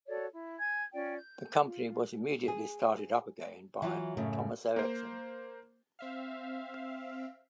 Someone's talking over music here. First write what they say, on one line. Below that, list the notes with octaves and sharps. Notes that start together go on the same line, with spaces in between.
The company was immediately started up again by Thomas Eriksson.
F#4 A4 C#5 D5
E4
G#5 G#6
C#4 F4 D5 G5
G6
F4
G#4
E3 F#3 F4
F#2 A2 C#3 A3
A#3 C5
C4 E5 F5